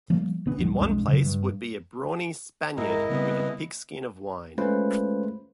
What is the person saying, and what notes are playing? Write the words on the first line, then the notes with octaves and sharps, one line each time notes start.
In one place would be a brawny Spaniard with a pigskin of wine.
F3 G3 A#3
G1 B3 D4
D1 D2 F3 G3
B1 F2 G#3 D4
C#3 F#3
G2
G#1 G#2 E4 A#4 D#5
C#3 G3 B3 C4
G#3 A3 C#4 F4 B4 C5